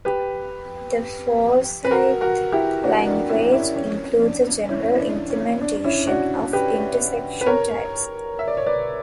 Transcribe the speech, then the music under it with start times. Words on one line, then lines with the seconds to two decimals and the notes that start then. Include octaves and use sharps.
The Forsythe language includes a general implementation of intersection types.
0.05 G4 B4
1.85 B4
1.91 F#4 A#4
2.21 F#4 A#4
2.52 E4 G4
2.83 D4 F#4
3.06 D4
3.30 C#4 E4
3.52 C#4 E4
3.76 C#4
4.22 D4
4.69 C#4 E4
4.92 E4
5.00 D4
5.30 C#4
5.61 D4
5.84 C#4 E4
6.07 D4 F#4
6.53 G4 B4
7.41 B4
7.46 A#4 C#5
8.39 E5
8.48 D5
8.57 C#5
8.66 B4 D5